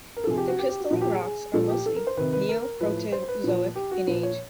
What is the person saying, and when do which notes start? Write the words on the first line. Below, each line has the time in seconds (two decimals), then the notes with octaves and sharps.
The crystalline rocks are mostly Neoproterozoic in age.
0.17 A#4
0.24 A4
0.27 C3 F3 G#4
0.37 G4
0.48 F#4
0.59 G4
0.69 G4
0.80 F#4
0.90 A#2 F3 F#4
1.01 G4
1.12 G#4
1.22 G#4
1.54 A#2 F3 A4
1.70 G4
1.86 A4
1.96 A#4
2.07 C5
2.17 C3 D#3 B4
2.33 B4
2.49 A#4
2.81 A2 F3 B4
3.12 C5
3.28 B4
3.44 A#2 F3
3.76 G4
3.91 F#4
4.07 A#2 F3 B4
4.23 C#5